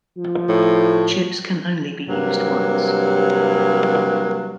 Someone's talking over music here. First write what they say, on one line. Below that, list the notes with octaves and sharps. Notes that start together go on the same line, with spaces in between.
Chips can be used only once.
F3
A2
G2 C3 F#3 A#3